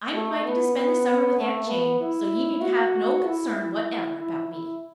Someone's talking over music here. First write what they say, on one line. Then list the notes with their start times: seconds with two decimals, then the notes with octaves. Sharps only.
"I am invited to spend the summer with Aunt Jane, so you need have no concern whatever about me."
0.13 A3
0.44 B3
0.75 B3
1.38 A3
1.68 B3
2.00 E4
2.61 F#4
3.25 E4
3.55 E4
3.86 E4
4.18 E4
4.49 E4